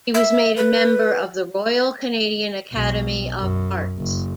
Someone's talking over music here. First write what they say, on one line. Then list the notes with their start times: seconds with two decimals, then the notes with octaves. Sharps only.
He was made a member of the Royal Canadian Academy of Arts.
0.14 E5
0.57 B4
2.72 B1
3.39 F#2
3.98 F#1